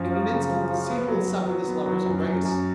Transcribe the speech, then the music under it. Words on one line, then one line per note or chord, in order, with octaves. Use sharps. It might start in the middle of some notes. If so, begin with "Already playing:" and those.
In an instant the sea will sever this lover's embrace!
Already playing: F#2 F3
F3
C#3
F3
F3
B3
F#3
F#3
F#3
B3
F#3
F#2
F#2
F#2